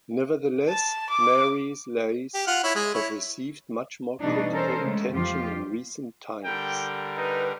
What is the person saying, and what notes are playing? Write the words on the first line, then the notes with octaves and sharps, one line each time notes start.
Nevertheless, Marie's lais have received much more critical attention in recent times.
A5
D6
G4
F4 F#5 F6
E4 C#5
G#3 G#4
E4 C#5
B2 E3 G3 A3 D4 D#4
C#4 A4 A#4 C5
C#3 G#3 A3
F2 F3 F4 G4
D3 G3 A#4 G5
D#4 B4